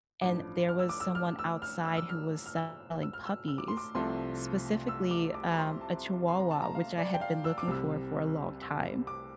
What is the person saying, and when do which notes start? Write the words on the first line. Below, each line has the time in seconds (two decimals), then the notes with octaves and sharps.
And there was someone outside who was selling puppies, specifically, um, a chihuahua, which I had been looking for for a long time.
0.22 A1 G2 F3 D6
0.69 F6
0.79 E6
0.89 D6
1.00 E6
1.15 F6
1.39 E6
1.62 F6
1.85 E6
1.97 E6
2.09 F6
2.46 F6
2.56 E6
3.02 E6
3.13 F6
3.25 E6
3.48 E6
3.58 D6
3.68 C6
3.77 D6
3.95 C2 C3 F3 A3 C6
4.88 E6
5.11 D6
5.35 D6
5.52 A#5
5.58 C6
5.81 A5
6.28 C6
6.39 A#5
6.51 A5
6.62 A#5
6.75 F5
6.98 D5
7.14 G5
7.21 F5
7.44 E6
7.58 D6
7.68 C2 C3 G3 E6
8.62 E6
9.07 D6